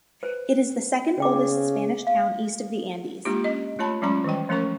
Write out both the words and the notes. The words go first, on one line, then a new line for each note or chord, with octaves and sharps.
It is the second oldest Spanish town east of the Andes.
B4 C5
C#3 C#4 G5 D6
F5
G#3 A#3 D4 F4 G4
C#4 D#5
A3 F4 C#5 A5 B5
F#3 G#3 C#4 F4 B5
D#3 E3 G3 G5
F3 A3 C#4 A#4 C#6